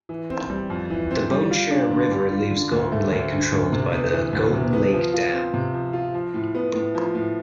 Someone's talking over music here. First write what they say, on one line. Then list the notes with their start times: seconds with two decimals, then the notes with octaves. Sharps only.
The Bonnechere River leaves Golden Lake controlled by the Golden Lake Dam.
0.09 E3
0.30 C4
0.50 G3
0.70 F2
0.90 E3
1.11 C4
1.30 G3
1.51 F4
1.71 D4
1.91 D3
2.11 G3
2.31 F4
2.51 D3
2.72 D2
2.92 A3
3.12 D2
3.32 D3
3.52 D2
3.72 C3
3.92 B3
4.13 E3
4.33 D2
4.53 C3
4.73 B3
4.93 F3
5.13 F4
5.33 C4
5.54 C3
5.74 F3
5.93 F4
6.14 F3
6.34 A2
6.55 B3
6.75 A2
6.95 F3
7.15 A2